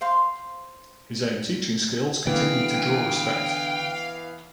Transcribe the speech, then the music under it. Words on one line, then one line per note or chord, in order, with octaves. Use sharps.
His own teaching skills continued to draw respect.
C5 F5 C6
D3 E3 B3 F5 G5